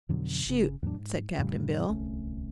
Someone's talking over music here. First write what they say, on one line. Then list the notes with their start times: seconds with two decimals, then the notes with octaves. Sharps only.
"Shoot," said Cap'n Bill.
0.09 F2 B2 D3 F#3
0.46 G1 C#3
0.82 E2 A2 F#3 D4
0.98 G#2
1.38 F2 A2 C#3 G3
1.89 D1 C2 A3 C#4